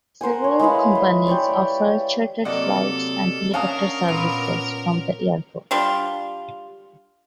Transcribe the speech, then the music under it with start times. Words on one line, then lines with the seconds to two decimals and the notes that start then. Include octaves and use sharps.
Several companies offer chartered flights and helicopter services from the airport.
0.21 A#4 C5 F#5 G#5
0.44 C#5
0.59 G#3 E4 B4 F5
0.92 B4 C6
1.27 G4 B4 C#5 D5
1.51 G5
2.45 C3 F#3 A#3 A4 D5 D#5 F#5
3.54 C#4 D4 A#4 F5 F#5 A5 D#6
4.08 A#2 B3
5.71 G3 D4 F4